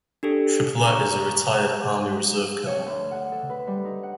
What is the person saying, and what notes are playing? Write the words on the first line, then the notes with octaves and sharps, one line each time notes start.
Triplette is a retired Army Reserve colonel.
D4 G4 A4
A#5 C#6
C#5
D2
F#5
A4
B4
G3
D#4
F#5